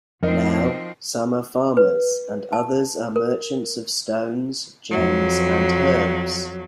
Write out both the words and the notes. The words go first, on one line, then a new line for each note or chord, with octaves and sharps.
Now, some are farmers and others are merchants of stones, gems and herbs.
F2 F3 C4 D#4 F#4 A#4
B4
A5
A#4
F2 F#3